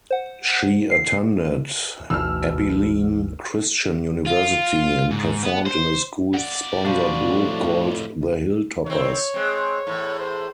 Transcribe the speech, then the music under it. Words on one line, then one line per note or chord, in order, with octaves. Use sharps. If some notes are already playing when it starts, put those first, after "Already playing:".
She attended Abilene Christian University and performed in a school-sponsored group called The Hilltoppers.
C5 F#5
C7
G1 D2 B2 E3 D#4 E6 F6
F4
G#2
B3
C5
F2 D5 F#5
B2 F3 G3 D4 F#4 B4
A2
D#3 C4 C#5
G#3 C4
E2 A2
C5